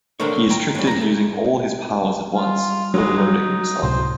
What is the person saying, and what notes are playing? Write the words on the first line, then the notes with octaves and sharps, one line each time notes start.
He is tricked into using all his powers at once, overloading himself.
D#3 D4 A4 A#4 C5 C#5
G5 A#5
A2 G3
F2 A#5
A3
G3 F4
F#3 G#3
D#4
C#2 A2 C3 C5